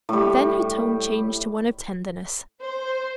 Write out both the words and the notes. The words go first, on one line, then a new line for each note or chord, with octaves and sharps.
Then her tone changed to one of tenderness.
A2 G3
C5